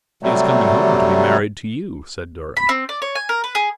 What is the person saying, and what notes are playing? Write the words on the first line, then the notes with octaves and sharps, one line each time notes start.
"He is coming home to be married to you," said Durham.
C3 F#3 G3 A3
B5
C4
D5
C#5
G#5
A#4
B4
G#4